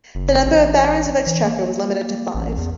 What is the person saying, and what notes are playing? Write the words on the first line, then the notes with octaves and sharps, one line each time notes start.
The number of Barons of Exchequer was limited to five.
F#1
A1
E3
A#3
A1
E2